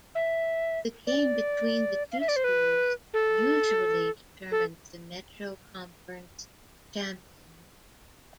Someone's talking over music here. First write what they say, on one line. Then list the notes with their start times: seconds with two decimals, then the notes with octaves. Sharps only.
The game between the two schools usually determines the Metro Conference champion.
0.15 E5
1.07 D5
2.12 F5
2.20 E5
2.28 D5
2.36 C5
2.44 B4
3.14 A4
4.52 A4